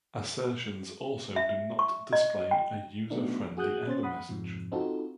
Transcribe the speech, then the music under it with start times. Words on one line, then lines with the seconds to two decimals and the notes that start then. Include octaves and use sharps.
Assertions also do not display a user-friendly error message.
1.36 E5
1.79 C#6
2.13 D#5
2.51 G5
3.10 F#3 A3 B3 D4 D#4
3.57 F#4 G#4 F#5 D#6 F#6 G6
3.87 C#4 C5 A6
4.03 F#5 B5 D#6
4.29 F2 G#2 C3 F3
4.72 C4 D#4 F4 F#4 A4